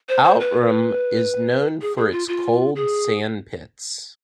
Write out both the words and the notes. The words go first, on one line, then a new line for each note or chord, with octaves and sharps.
Outram is known for its cold sandpits.
C5
C5
B4
G#4
G#4
F4
F4
G#4